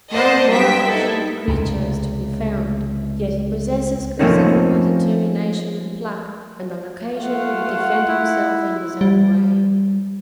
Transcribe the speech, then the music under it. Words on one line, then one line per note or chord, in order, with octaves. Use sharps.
No more affectionate creature is to be found, yet he possesses considerable determination and pluck, and on occasion will defend himself in his own way.
C5 D5 D#5 F#5 A5
G2 F#3 E5 G5 B6
D#4 E4 A4
C#2 C3
F3 A3 A#3 C4 C#4 D#4
A3 F4 F5 F#5
E4
G3